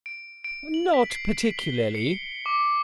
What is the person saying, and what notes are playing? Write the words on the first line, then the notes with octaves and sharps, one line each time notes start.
"Not particularly."
D7
D7
F#7
B6
C7
G7
C#7
D6